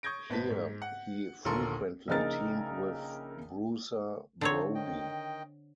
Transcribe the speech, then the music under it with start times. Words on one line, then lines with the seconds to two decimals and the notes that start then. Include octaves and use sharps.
Here, he frequently teamed with Bruiser Brody.
0.03 C#6 D#6 G6 G#6 A#6 D7
0.30 G#1 B3 A5 B6
0.50 G#2
0.82 F#5
1.45 A#1 D#2 D3 A4 A#4 C6
2.08 A#1 C#3 D#4 G#4 A#4 A6
4.41 D3 F3 C4 D#4 C#5
4.75 D#3 D#5 G5